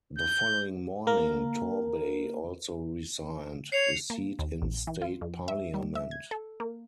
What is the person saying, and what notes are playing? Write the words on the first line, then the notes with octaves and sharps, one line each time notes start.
The following morning Torbay also resigned his seat in State Parliament.
G6
A#3 A#4
C#5 C7 C#7 F7
A#3
D#2
A#1
E3
F4
F2
E5
G3
E5
G#6
A4
A#3